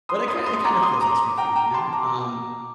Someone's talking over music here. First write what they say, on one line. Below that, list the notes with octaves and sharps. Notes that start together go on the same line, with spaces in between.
But it kinda it kinda feels like street food, you know? Um,
C6 D#6
C6 D#6
C6 D#6
A#5 D6
C6 D#6
A#5 D6
G5 A#5
G5 A#5
A5 C6
A#5 D6